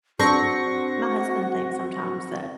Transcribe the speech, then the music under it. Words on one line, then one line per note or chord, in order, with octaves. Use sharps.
my husband thinks sometimes that
C4 D4 F#4 A4 C#6 A#6